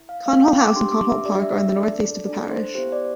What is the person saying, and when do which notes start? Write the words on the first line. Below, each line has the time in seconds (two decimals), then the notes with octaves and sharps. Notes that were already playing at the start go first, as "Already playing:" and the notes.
Conholt House and Conholt Park are in the northeast of the parish.
Already playing: E4
0.09 F5
0.26 A3 C4 E4 F5
0.42 G5
0.59 D6
0.76 D4 G4 C6
0.92 D6
1.09 E5
1.25 D4 G4 D5
1.42 E5
1.59 E5
1.75 D4 A4 D5
2.25 D4 A4 D5
2.50 C5
2.75 B3 E4 G4 C5
2.92 D5